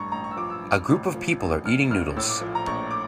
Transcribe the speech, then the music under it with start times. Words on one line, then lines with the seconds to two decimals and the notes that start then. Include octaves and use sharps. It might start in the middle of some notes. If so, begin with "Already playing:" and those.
A group of people are eating noddles.
Already playing: A1 G2 A#5 C#6
0.12 A1 A#5
0.24 C#6
0.31 E6
0.37 F3 D6
0.50 E6
0.62 G2
0.89 A1
1.14 F3
1.40 A1
1.65 A#1 F6
1.91 A#1 F6
2.16 A2 E6
2.29 D6
2.41 F3
2.55 A#5
2.67 A#1 C#6
2.91 D6